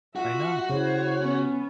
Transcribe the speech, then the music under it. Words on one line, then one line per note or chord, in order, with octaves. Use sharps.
Why not?
F4 F#4 E5 F#5
C#3 E4 C5 C#5
B3 C#4